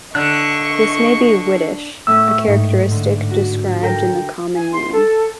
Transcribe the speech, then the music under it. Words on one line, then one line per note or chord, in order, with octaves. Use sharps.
This may be whitish, a characteristic described in the common name.
D3 D#5 C#6 F#6
A2 A3 C#4 E6
G#2 D#4
D3
F#4
A4 A#4 G5
G#5
C6
A4